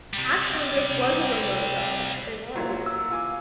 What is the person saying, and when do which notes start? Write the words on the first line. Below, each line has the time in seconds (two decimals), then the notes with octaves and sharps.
Actually, this was a remote job. It was.
0.13 C3 G3
2.55 A#2 E3 F#3
2.86 E6
3.11 F4 G#5 D6